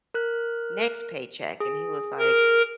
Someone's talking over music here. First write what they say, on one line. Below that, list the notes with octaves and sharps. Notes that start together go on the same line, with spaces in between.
next paycheck.” And he was like,
A#4 F#6
G#4
A#4